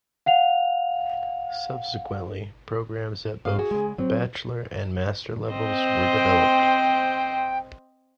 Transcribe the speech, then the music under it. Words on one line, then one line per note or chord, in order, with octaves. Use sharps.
Subsequently, programs at both the Bachelor and Master levels were developed.
F5 F#5 F7
G#2 C4 F5
F#4 G#4
C#3 G#3
F#3 C4
C4 C5 D#5
G5